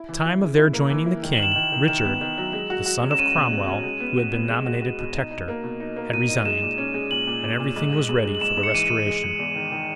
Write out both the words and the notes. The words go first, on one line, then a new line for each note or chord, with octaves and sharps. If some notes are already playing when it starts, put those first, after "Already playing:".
At the time of their joining the king, Richard, the son of Cromwell, who had been nominated Protector, had resigned, and every thing was ready for the Restoration.
Already playing: E4
E3
E4
C#3
E4
A#3
E3
E4
D#3
F#7
D#3 E7
D#3 F#7
D#3
D#3 E7
B3
D#3
F#3
G#3
F#4
F#4
C#4
E7
C#4 D#7
B2
G#3
C#4
G#3
B3
F#4
B3
G#3
F#4
F#4
B2
D#4
D#4
A#3
B2
D#4
A#3
B2 D#7
D#4
G#3 E7
A#2
C#4
G#3
A#2 F#7
A#2
A#2
A#2
G#2
G#3
G#2
G#3
F#7
G#2 E7
G#2
C#7
E3 D#7
G#2
G#3
G#3
E2
D#3
D#3